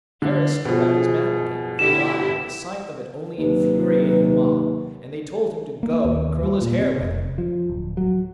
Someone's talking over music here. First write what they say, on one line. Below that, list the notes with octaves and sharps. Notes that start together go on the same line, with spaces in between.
Harris drew out his map again, after a while, but the sight of it only infuriated the mob, and they told him to go and curl his hair with it.
D3
B2 F3 G#4
D3 E4 G4 E7
D#2 C3 F#3 B4
A#3
D#2
G3
A#2
C3
F1
F3
D1
F#3